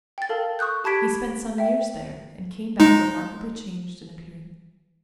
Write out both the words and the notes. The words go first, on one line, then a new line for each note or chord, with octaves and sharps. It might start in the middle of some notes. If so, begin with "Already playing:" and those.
He spent some years there and came back remarkably changed in appearance.
G5 A6
A4 A#4 F5 A5
C#6 D#6 F#6 G6
G4 A5 B5 G#6 B6 D7
E5 G5
G#3 D#4